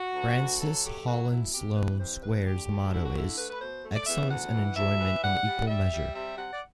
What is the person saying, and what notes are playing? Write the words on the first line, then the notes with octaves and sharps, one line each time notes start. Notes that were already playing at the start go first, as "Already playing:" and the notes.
Francis Holland Sloane Square's motto is: 'Excellence and Enjoyment in Equal Measure'.
Already playing: F#4
D2
D2
F#3 A4
A3 G4
F#3 F#4
B2 E4
C3 G4
E3 B4
C3 C5
D2 B4
D3 G4
D2
D3 E4
F#4
A3 E4
A3 B4
B4
B2 C5
A3
D5
E2 E5
D2 F#5
E3
D2 E5
E3
G3 F#5
G3
G3 E5
G3
C3 E5
C3 F#5
D5